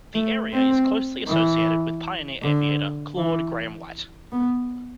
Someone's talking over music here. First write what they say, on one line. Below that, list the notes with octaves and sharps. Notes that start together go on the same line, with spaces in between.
The area is closely associated with pioneer aviator Claude Grahame-White.
A3
C4
E3
D3
E3
B3